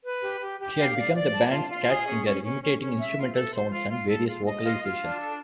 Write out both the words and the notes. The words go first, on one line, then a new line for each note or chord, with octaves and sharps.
She had become the band's scat singer, imitating instrumental sounds and various vocalizations.
B4
G4
G4
G4
F5
D5
D5
A5
F4
F4
G#4
C#4
C#4
C#4
C#4
C#4
E5
F4
A4
C5
F4
F4
A4
F4
D#5
F4
F4
D4
A4